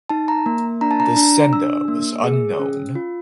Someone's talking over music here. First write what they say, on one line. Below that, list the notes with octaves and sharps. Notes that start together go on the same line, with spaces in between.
The sender was unknown.
D#4 A5
A#5
A#3
D4 A#5
A5
A#5
D4 A#5
D4 E6
A#3
G#4
C#4
F4